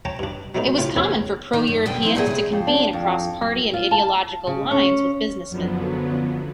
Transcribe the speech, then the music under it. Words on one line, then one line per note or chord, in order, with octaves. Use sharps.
It was common for pro-Europeans to convene across party and ideological lines with businessmen.
C#5 G5 A5 A#5
G2 D4
F#3 G#3 A3 B3 D#4
C#2 A2 G#3 F4 G5
A1 B3 C#4 D4 G#4 C#5
D#3
F#2
D#2 B2 D3 G5
F3 F#3 C4 E4
A#2 A3 A#3 F#4 G#4 F#5
C#3 G#3
F2
D4
F2
F#3
F4
A5
C#3
C#4
F#2 D3 F3 F#3 B3